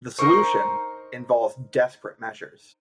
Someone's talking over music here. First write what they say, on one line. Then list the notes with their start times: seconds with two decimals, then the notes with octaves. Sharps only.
The solution involves desperate measures.
0.18 D#4 A#4 C5 C#6